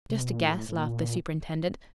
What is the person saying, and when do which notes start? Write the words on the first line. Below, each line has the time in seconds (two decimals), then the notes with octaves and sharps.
"Just a guess," laughed the superintendent.
0.09 C3
0.20 B2
0.31 A#2
0.41 A2
0.68 A2
0.78 A#2